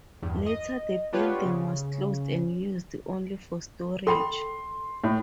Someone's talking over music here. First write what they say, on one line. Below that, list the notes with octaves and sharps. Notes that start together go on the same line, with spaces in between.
Later the building was closed and used only for storage.
E2 G2
D#5
B3 D4 F4 G4 B4 C#5
C#3
A4 G5 B5 C6
A2